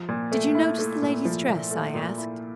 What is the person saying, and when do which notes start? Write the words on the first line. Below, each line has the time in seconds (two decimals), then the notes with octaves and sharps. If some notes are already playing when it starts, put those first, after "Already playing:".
"Did you notice the lady's dress?" I asked.
Already playing: F3
0.08 A#2
0.32 A3
0.55 E4
0.79 A3
1.02 A#2
1.25 F3
1.48 A#2
1.71 A3
1.95 A#2
2.18 E4